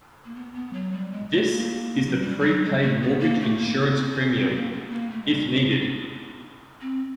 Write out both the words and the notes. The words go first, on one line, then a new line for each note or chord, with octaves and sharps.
This is the prepaid mortgage insurance premium, if needed.
A#3
B3
B3
F#3
G3
G#3
A3
A#3
F#3
G3
G3
F#3
G#3
A3
B3
A#3
A3
A#3
B3
C4
C#4
C4
B3
A#3
B3
A#3
A3
G#3
G3
G#3
B3
C4